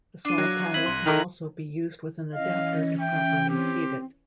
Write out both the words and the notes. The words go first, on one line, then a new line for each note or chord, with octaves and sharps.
The small paddle can also be used with an adapter to properly seat it.
D4 F4 C7 D#7
F#3 F#6 A#6
C4 E4 G#6 B6 F#7
C2 C6
D#3 E4 A4 A#5 D6 D#6
E3 C#4 D#5 F5
E5 G5
C4 G4